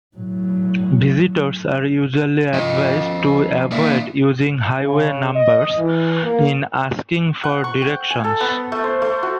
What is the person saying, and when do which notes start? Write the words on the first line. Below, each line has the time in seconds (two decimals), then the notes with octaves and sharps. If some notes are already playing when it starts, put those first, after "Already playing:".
Visitors are usually advised to avoid using highway numbers in asking for directions.
0.16 A2 F#3
2.54 F3 D#5
3.72 A#3 D5 E5
4.82 C#3
5.36 D#5
5.77 E3
6.22 A#3
7.44 F#5
7.64 C#6
7.82 G5
8.10 G#5
8.24 A4
8.40 B3
8.72 A3
8.84 C5
9.02 A3
9.23 F#4